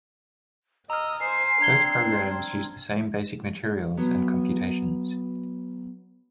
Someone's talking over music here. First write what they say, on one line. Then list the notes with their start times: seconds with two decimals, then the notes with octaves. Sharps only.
Both programs use the same basic materials and computations.
0.90 D#5 A#5 E6 F6
1.20 C5 G#5 C7
1.61 C4 D4 A#5 G#6 G7
3.98 F#3 B3